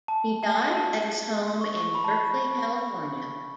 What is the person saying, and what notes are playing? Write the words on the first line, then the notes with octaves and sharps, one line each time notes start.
He died at his home in Berkeley, California.
A5
A5
A5
C#6
C#6
B5
A5
B5